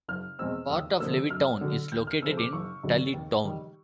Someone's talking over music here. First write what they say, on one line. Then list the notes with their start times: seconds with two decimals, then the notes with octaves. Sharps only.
Part of Levittown is located in Tullytown.
0.08 F#1 F6
0.39 E2 B2 G#3 C4 E6
0.70 D#2 D#6
1.00 D3 F3 A#3 E6
1.30 F#2 F6
1.61 D3 F#3
1.92 D#2 G6
2.07 F6
2.22 C#3 F3 A3 E6
2.38 D6
2.53 F#1 C#6
2.83 F#2 D3 F#3
3.14 D#2
3.44 D#3 G3